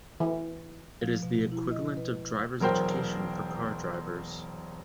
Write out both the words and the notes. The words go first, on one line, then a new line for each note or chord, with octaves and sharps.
It is the equivalent of driver's education for car drivers.
E3
F3
B2
E4
D#5
B4
E1 F#3 A#4 C5 G5